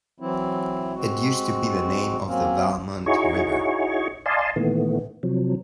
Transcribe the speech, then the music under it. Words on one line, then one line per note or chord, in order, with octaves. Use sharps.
It used to be the name of the Valmont River.
E3 F#3 C4 E4
G#3 C4 F#4
F#3 A#3 C4 C#4
D#4 E4 F#4 G#4 C#5 C#6
D5 D#5 F5 G#5 A5 C6
A#2 D#3 E3 A3 B3
C3 F3 F#3